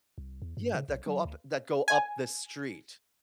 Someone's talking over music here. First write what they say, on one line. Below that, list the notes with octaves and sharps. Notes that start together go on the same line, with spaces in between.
Yeah, that go up that go up the street-
C2
E2
G2
C#3
B1
F#3
D2
G#5